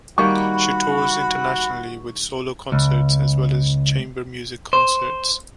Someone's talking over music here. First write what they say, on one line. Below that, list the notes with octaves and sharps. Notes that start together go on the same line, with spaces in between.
She tours internationally with solo concerts as well as chamber music concerts.
D#3 G3 A#3 F#4 B5 C#6
C#2
C5